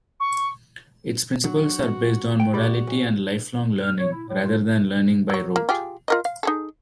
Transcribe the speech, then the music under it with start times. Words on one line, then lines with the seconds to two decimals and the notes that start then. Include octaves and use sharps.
Its principles are based on morality and lifelong learning, rather than learning by rote.
0.20 C#6
1.44 F#3 F#4
2.40 G5
2.54 A#2 F#4 G4 D5
2.87 B1
3.81 F6
3.97 C#5
4.11 E4
4.28 A2
4.44 F4
5.30 F#3 C#5
5.56 A#3
5.69 F4 G4 G#4
6.08 F4 A#4 D#5
6.25 F5
6.43 D#4 G#4 A4